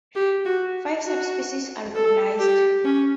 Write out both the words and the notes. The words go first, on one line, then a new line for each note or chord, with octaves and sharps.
Five subspecies are recognized.
G4
F#4
F#4
A4
G4
C#4